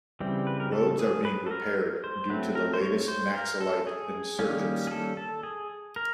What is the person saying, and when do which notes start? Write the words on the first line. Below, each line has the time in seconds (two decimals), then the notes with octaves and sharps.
Roads are being repaired due to latest Naxilite insurgency.
0.20 C#3 E3 G3 C4
0.47 B4
0.60 A#4
0.72 A4
0.99 G#4
1.25 B4
1.47 A4
1.51 A#4
2.04 C5
2.29 F#3 A3 C4 B4
2.55 A#4
2.74 C5
2.81 C#5
3.08 C5
3.34 A#4
3.61 A4
3.87 G#4
4.39 D#3 G3 A#3 C#4
4.87 G#4
4.91 A4
5.17 A4
5.43 G#4
5.96 A#4